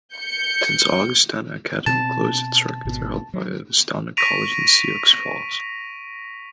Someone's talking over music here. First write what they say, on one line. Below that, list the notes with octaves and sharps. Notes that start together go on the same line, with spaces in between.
Since Augustana Academy closed, its records are held by Augustana College in Sioux Falls.
G6 C#7
B2 C4 A5
G#1 B2
F#3
C#6 A#6 B6 D7 D#7 F7